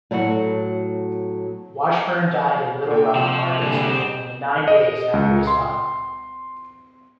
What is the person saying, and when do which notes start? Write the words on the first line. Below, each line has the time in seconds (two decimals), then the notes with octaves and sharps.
Washburn died in Little Rock, Arkansas only nine days after his father.
0.11 A2 F#3 A3 F#4
2.91 A#2 G5
3.15 C3 F3
3.62 D3 G3 A#3 G#4
3.88 G3 C4 G#4
4.67 D#5
5.13 C#2
5.47 C6